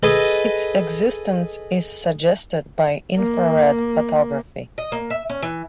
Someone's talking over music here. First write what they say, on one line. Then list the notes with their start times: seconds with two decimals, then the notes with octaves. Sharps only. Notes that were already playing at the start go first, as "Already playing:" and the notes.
Its existence is suggested by infrared photography.
0.03 G#4 A4 B4 D#5
3.16 A#3
4.78 D#5
4.92 A#3
5.10 E5
5.30 C#4
5.42 E3